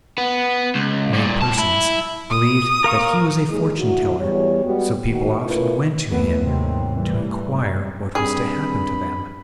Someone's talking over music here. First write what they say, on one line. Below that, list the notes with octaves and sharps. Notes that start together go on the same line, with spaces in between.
Many persons believed that he was a fortune-teller, so people often went to him to inquire what was to happen to them.
B3
C#2
G2 A#2
A2 A5
E4
D#6
A#4 F5 C#6
D#2 A#2 D#3 G#3
D2 F#3 E4 F#4
E2 G3 C#5
G3 G#3 B3 F#4 G4
D#3 F#4
A3 C#4 E4 F4 A#4 B4
D#2 E3 A3 B3
D#2 G#2 C3 D#3 F#3 C4
E3 G3 A3
F#2 G3
G2 C4 G#4 B5